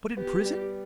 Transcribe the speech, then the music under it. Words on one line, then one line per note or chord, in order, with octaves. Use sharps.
"But in prison?"
B3 G4
G3